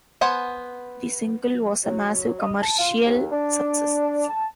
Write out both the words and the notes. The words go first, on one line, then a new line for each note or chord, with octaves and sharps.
The single was a massive commercial success.
B3 C5 F#5 G#5
F#3
D#5
A5
F4
D#2
D4
A5